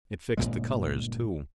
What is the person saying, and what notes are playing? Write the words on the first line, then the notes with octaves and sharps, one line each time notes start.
It fixed the colors, too.
G1 D#2 A#2 G#3